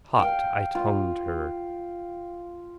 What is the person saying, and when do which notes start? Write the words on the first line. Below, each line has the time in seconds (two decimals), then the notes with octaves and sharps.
Hot I tongued her.
0.19 F5 G5
0.75 F4